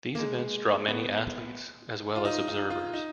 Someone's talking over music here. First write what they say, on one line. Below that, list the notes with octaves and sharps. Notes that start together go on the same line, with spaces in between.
These events draw many athletes as well as observers.
A#3
G#3
B3
F4
D#4
D#4
F4
D#4